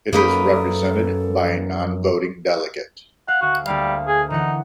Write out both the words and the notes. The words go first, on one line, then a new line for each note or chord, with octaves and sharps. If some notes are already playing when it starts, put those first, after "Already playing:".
It is represented by a non-voting delegate.
F#2 A#3 D#4 A4 B4
F5 F#5
D2 F#4
D2 G3 A#3 F5
G#4
D3 E3 D#4 F#5